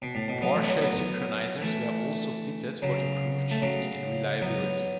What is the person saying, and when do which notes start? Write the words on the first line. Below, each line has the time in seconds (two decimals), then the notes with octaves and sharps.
Porsche synchronizers were also fitted for improved shifting and reliability.
0.02 B2
0.15 A2
0.28 B2
0.42 F#3 B3
0.55 E3 A3
0.68 F#3 B3
0.82 F#3 B3
1.61 E3 A3
2.82 C#3 F#3
3.51 A3
3.62 C#3 F#3
4.42 F#3 B3